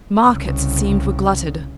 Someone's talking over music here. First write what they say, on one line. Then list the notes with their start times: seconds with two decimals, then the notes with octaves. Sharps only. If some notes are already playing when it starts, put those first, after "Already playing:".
Markets, it seemed, were glutted.
0.25 C2 C#3